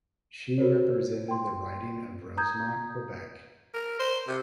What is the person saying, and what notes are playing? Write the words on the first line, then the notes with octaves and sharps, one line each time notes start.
She represented the riding of Rosemont, Quebec.
F#4 A#4 C5 C#5
G5 C6
A#5 D#6 G6 G#6
A#4
C5
C3